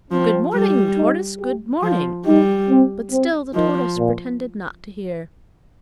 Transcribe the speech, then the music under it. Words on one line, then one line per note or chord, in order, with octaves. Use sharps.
'Good morning, tortoise; good morning.' But still the tortoise pretended not to hear.
F3 C4
G3
D#4
G4
F3 F4
G3 D#4
C4
C4
D#3 F3
A#2